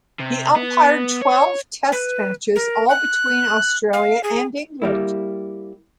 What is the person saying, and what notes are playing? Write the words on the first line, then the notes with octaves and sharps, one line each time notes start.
He umpired twelve Test matches, all between Australia and England.
C3
B3
C#5
B4
A#4
F#6
F5
G#4
G3 A#3 E4